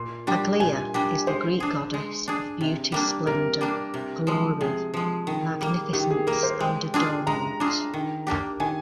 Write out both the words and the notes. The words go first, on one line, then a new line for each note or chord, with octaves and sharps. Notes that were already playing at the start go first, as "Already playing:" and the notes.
Aglaea is the Greek goddess of beauty, splendor, glory, magnificence, and adornment.
Already playing: A#2 C6
G3 D4 G4
A#2 G#5
G3 D4 G4
G#3 C5
D4 G#4
G#3
D4 G#4
C3
G3 A#3 D4
C3 A#4
G3 A#3 D4
C3
F3 G#3
C3 G#4
F3 G#3
D#3
G3 A#3
D#3 G4
G#4
G3 A#3 A#4
C5
G#3 G5
D4 F4 G#4
G#3 A#5
D4 F4 G#4
D#3
A#3 D4 G4
D#3 G#5